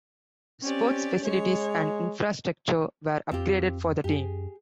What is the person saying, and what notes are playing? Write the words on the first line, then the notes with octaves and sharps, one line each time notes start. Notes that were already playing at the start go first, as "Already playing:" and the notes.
Sports facilities and infrastructure were upgraded for the team.
C4 C#4 G4 D5
G#3 C#5
F2 C4 F4 G4
F#2 G4 G#4